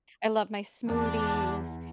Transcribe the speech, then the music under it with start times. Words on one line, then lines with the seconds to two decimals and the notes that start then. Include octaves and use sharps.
I love my smoothies.
0.88 E2 D4